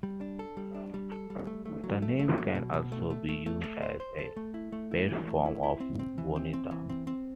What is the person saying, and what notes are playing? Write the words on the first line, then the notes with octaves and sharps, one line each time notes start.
The name can also be used as a pet form of Bonita.
G3
D4
A4
G3
D4
G3
A4
G3
A3
A3
F#3
A3
A3
F#3
B2
B2
A3
A3
A3
A3
A3
C5
C5
A4
A3
E4
A3
E4
E3
A3
E4
E4
C4
C4
E3
C4
C4
E3
C4
C4